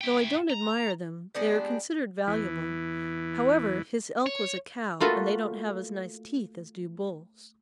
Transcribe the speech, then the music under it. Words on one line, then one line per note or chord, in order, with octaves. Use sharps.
Though I don't admire them, they are considered valuable; however, his elk was a cow, and they don't have as nice teeth as do bulls.
E4 G5
A#5
G#3 B3 D4 G4
E2 E3
C#5
A3 A#3 F4 F#4 A4 B4